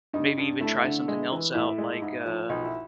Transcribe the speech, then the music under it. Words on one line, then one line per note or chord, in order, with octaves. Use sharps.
maybe even try something else out like, uh
G2 D#4
G2
A3 E4
D3
G#3
E3
A2 E4
G#3
G#2
F3
B1 D#4
E4